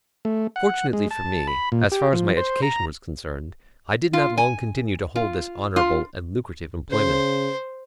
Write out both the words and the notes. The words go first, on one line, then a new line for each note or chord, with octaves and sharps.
Fortunately for me, as far as my education was concerned, I did not long continue to hold this honourable and lucrative employment.
A3
F#5
G#3
A5
B5
A#2
G4
F3
C5
A#5
F4
G#5
F4
F4
C#3 C5